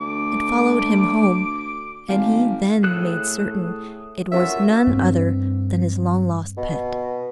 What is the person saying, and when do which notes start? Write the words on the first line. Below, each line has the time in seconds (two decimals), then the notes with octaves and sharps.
It followed him home, and he then made certain it was none other than his long-lost pet.
0.01 D2 D6
2.09 G#1 F5
2.84 A2 G#4 A4 F#6
4.32 C#4 F4 F#4 A#4 E5
4.87 G2 C4
6.57 B2